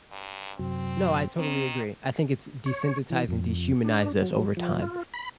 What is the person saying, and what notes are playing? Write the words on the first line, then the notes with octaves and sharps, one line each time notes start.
No, I totally agree, I think it's desensitized and dehumanized us over time.
G2
F#2 C3 F#3 C4
D#3 C4
C#5
E3
F2
D4
F#3
F3
F4
B5